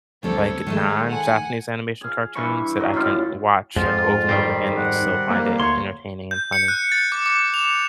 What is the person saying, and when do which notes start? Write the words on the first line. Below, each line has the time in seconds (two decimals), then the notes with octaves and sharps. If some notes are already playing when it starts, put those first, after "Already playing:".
like, non-Japanese animation cartoons that I can watch, like, over and over again and still find it entertaining and funny.
0.23 D2 G3 C4 A4 C#5
0.66 D#3 G#3 A3
1.08 F#5 G#5
2.01 G#4 F5
2.35 G2 E3 B5 C#6
2.77 F#3 D#5
2.94 F#2 A2 F4 D5
3.76 F2 G#2 F4
4.29 G#2 D#3 G3 C4
4.77 F#5
5.30 A#3
5.60 D2 C#5 C6
6.31 G6
6.52 C#7
6.68 F#6
6.92 A6
7.12 D6
7.26 D6
7.54 F7